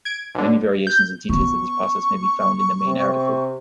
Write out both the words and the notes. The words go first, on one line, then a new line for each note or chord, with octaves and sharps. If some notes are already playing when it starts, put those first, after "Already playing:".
Many variations and details of this process may be found in the main article.
G#6 D7
B1 D3
G6
B3 C#4 C#6
C3